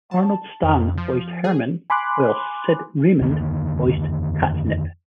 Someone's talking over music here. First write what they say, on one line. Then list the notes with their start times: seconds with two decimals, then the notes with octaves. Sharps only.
Arnold Stang voiced Herman while Sid Raymond voiced Katnip.
0.11 A5
0.63 F2
0.98 F3
1.44 G#4
1.90 G#5 B5 C6 D6 F#6
3.22 F2 D3 D#3 A#3